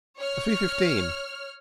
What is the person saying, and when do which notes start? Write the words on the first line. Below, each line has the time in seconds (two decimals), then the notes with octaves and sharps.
'The three-fifteen.'
0.18 C#5 F6